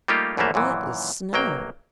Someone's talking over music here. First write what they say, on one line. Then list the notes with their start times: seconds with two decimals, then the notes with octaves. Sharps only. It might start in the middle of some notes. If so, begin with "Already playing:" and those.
"What is snow?"
0.08 G3 A3 A#3 D#4 F4 G4
0.37 A#1 F#2 E3 A3 A#3 E5
0.54 F#2 A#2 D#3 E3
1.33 B1 F#3 A#3 G5